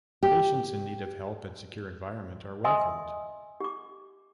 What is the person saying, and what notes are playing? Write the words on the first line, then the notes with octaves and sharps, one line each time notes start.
Patients in need of help and secure environment are welcomed.
G4
D#5 E5 G#5 C6 D#6 E6
G4 D6